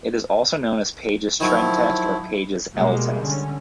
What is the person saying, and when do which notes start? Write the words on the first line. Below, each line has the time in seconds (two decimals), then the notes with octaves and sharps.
It is also known as Page's trend test or Page's "L" test.
1.40 D#3 F3 F#3 E4
2.74 B2 G3 G#3 A#3
3.21 D3 C#4